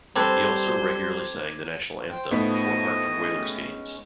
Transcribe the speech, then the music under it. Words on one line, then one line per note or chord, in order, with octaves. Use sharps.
He also regularly sang the national anthem before Hartford Whalers games.
G3 C4 A4 B4 C5 A#5 D6 G#6
C5 G5
A2 F3 A3 B3 D#4 B6
D#5
G#3 C#4